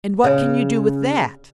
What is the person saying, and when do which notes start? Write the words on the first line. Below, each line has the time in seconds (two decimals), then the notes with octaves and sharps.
"And what can you do with that?"
0.24 C#3